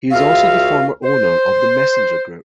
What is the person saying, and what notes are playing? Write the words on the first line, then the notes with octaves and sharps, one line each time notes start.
He is also the former owner of the Messenger Group.
C#2 F#4 E5 F5
C5